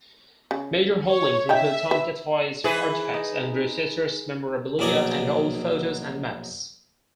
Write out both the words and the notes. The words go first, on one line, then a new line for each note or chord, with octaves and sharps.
Major holdings include Tonka Toys artifacts, Andrews Sisters memorabilia and old photos and maps.
C#3
C#5
C#3 D#4 E5 G5
B4
E3 G#4 B4
D#4
A#1 B2 F#3 D5 D#5 G#5